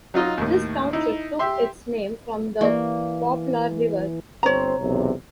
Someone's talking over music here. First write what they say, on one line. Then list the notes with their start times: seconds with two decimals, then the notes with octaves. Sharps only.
This township took its name from the Poplar River.
0.14 F#3 D#4 F4 D#5
0.38 D#2 A2
0.93 D#4 E4
1.39 G4 E5 C6
2.61 E3 A#3 G4 D5 E5
4.43 G1 C4 C5 C#5 A#5
4.80 B1 E2 C3